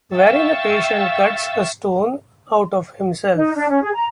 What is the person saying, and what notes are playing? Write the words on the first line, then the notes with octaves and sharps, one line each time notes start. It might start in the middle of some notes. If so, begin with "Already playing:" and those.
Wherein a patient cuts a stone out of himself.
E5 F5 G5 C#6 E6 A6
D#4
D4
C#4
G#4
A#5